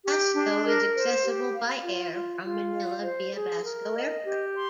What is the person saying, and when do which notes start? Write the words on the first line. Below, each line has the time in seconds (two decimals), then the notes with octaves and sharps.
Basco is accessible by air from Manila via Basco Airport.
0.04 G4
0.33 D4
0.64 A#4
0.94 C5
1.24 G4
1.54 F5
1.83 F4
2.13 F4
2.44 F4
2.74 F5
3.04 C5
3.34 G#4
3.64 A#4
3.94 D#5
4.24 G4
4.54 C6